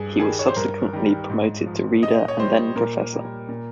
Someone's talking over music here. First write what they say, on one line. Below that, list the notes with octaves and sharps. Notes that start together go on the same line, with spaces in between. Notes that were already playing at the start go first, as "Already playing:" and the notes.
He was subsequently promoted to Reader and then Professor.
Already playing: G2 G#4
D#3 G3 G#4
C#5
C5
G2 A#4
D#3 G3
G#2
F3
A#2 D#5
C#5
G3 C5
A#2 A#4
G3
A#2